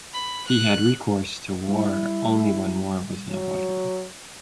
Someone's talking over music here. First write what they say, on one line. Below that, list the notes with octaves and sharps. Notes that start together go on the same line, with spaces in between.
He had recourse to war only when war was unavoidable.
B5
F#6
G3 E4
F#3